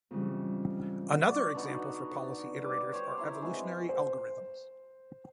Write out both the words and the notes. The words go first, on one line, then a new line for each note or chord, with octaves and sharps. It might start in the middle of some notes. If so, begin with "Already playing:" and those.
Another example for policy iterators are evolutionary algorithms.
F2 G#2 C#3 E3 G3
F#4 D5
D3 B3 D#4 F#4
G3 B4 D6
G4 C5 C#5
E4 E5 A#5 C6
G#3 B3 C4 F#4
C5